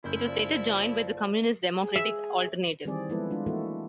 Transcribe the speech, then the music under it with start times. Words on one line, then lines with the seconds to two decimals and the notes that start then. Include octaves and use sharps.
It was later joined by the communist Democratic Alternative.
0.04 F#1 C#3 E4 G6
0.27 F3 D5
1.83 G#4
1.95 E5
2.85 D#3 E3 G3 C4 G#4 D5
3.09 F3 G#3 B3 E4 A4 B4
3.30 G#3 D4 F4
3.46 E3 A3 A#3 E4 F#4 A4